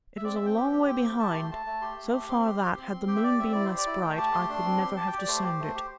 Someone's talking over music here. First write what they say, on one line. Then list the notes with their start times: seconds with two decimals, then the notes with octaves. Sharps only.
It was a long way behind--so far that, had the moon been less bright, I could never have discerned it.
0.16 E5
0.24 C4 D5
0.35 E5
0.40 C4
0.46 G5
0.56 G4
0.72 G4
0.87 C4
1.04 G4
1.19 G4 A5
1.34 A3 C6
1.51 A3 A5
1.66 A3
1.82 G4 C6
1.98 A3
2.13 G4
2.29 C4
2.45 G4
2.61 G4
2.76 C4
2.92 C4
3.07 G4 G5
3.16 E5
3.23 G4 D5
3.39 C4 E5
3.52 E4 D5
3.65 C5
3.70 G4
3.77 D5
3.87 E4
4.02 A3 G5
4.18 G4 A5
4.33 A3 C6
4.49 D4
4.65 C4
4.81 G4
4.96 G4 A5
5.07 G5
5.12 G4
5.19 D5
5.28 A3 C5
5.44 G4
5.59 A3
5.75 G4